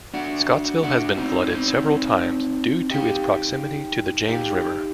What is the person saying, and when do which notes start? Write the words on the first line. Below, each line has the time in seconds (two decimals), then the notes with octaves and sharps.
Scottsville has been flooded several times due to its proximity to the James River.
0.14 D4 F#4
0.83 D4 F#4
1.18 C4 D#4
1.52 C4 D#4
2.90 D#4 G4
4.28 D#4 G4